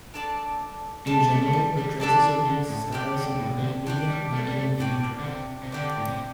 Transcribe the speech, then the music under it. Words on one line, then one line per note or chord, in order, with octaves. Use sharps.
In general the traces of these styles in other media are even fainter.
D4 A4 D5 A5
G3 D4 A4 D5 A5
A3
A3
G3
G3
G3 D4 A4 D5 A5
E3
D3
A2
C3 D4 G4 D5
D3
A2
D3
C3
E3 D4 G4 D5
G3
A3
G3
A3
A2 D4 G4 D5
D3
C3
C3
D3 D4 G4 D5
A2
C3